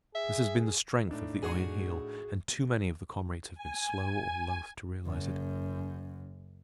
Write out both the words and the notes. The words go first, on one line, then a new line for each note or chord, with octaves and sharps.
This has been the strength of the Iron Heel, and too many of the comrades have been slow or loath to realize it.
G#4 E5
A2 D4 D#4
F#4 G#4
G#5
F#1 F#2